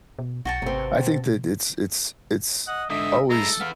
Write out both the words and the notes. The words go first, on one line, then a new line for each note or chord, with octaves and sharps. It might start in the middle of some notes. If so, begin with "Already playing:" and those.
I think that it's it's it's always
B2
B1 F#4 G5 A5
G#1 C3 C4
B2
D#5 F#5
G#2 D3 D#5 E5
G#3 E4 A4 A#5
B3 E4 F5